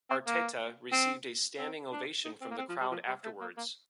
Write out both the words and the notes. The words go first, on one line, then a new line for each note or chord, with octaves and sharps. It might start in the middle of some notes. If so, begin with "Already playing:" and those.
Arteta received a standing ovation from the crowd afterwards.
C4
A#3
C4
C4
D4
D#4
C4
A#3
C4
F3
G3
F3
G3
A3
A#3
A#3